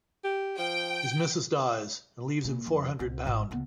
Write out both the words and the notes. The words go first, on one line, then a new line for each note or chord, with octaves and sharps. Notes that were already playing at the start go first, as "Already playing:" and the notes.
His missus dies, and leaves him four hundred pound.
G4
F3 G5
A#2
F2
C2 C4
G#1 B2
C#2 B3